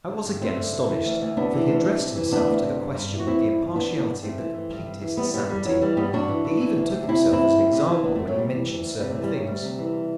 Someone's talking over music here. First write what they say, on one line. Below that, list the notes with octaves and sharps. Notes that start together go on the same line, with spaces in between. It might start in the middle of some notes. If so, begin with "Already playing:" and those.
I was again astonished, for he addressed himself to the question with the impartiality of the completest sanity; he even took himself as an example when he mentioned certain things.
D3
G2
G2 A3 C4
D3
D3
E3
D2
D2
C3 B3 D4
E3
D2
D2
C3
E3
D2 B3 D4
D2
C3
G2
G2
E3
F#4
E3 C4 E4
G2
G2
E3 B3 D4
E3
B3 D4
G2
G2 A3 C4
E3
E3
G2
G2
E3
E3 G3 B3
G2 G3 B3
G2 G3
E3 F#3
E3 G3
G2 G3 B3
G2 D4 F#4
E3
E3
E3
D2
D2
D4
C3 C4 E4
E3
C4 E4
D2
D2
C3
E3
D2 B3 D4
A3 C4
D2
F#3 A3
C3 G3
E3
D2
D2
C3 G3
F#3 A3
E3
G3
D2 F#3
D2 G3
C3
E3